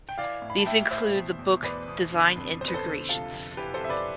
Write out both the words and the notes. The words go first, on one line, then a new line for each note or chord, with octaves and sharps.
These include the book Design Integrations.
G5
E3 D5 F5
A2
B5
A5
A2 E5 G5
E3 C5 E5
B2
E2
E2 B4 D5
B2
D3
F2
F2 C5
B4
A4 C5
D3
C3 F4 A4
F2
E3 G4 B4
A4 C5
F2 E5
B4 D5